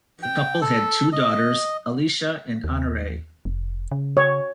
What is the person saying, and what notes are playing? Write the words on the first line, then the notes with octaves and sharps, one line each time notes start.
The couple had two daughters, Alicia and Honoree.
G5
A4
D#5
D#2
F1
C#3
C#5